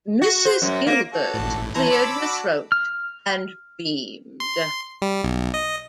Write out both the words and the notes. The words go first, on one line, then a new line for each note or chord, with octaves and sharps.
Mrs. Gilbert cleared her throat and beamed.
F#4
C5
F#2
A#3
D4 F#4 A4
A1 A2
E3 E4 C#5 A5 A#5 C6
B5 D6 E6
D4 F#4
F6
C6
G3
B1
D#5